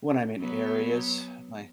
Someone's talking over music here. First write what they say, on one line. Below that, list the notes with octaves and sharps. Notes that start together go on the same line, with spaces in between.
when I'm in areas. My
F#3 B3